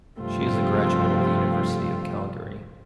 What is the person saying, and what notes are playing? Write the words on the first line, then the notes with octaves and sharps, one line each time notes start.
She is a graduate of the University of Calgary.
G2 C3 F3 A3 C4 F4